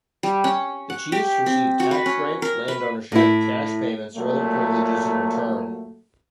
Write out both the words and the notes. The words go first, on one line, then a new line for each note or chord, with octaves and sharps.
The chiefs received tax breaks, land ownership, cash payments, or other privileges in return.
G3
C#4
F#5
G4
C4
F#4
B4
C#4
A#4
B4
A2 E4
A#2 F#3 A3 A#3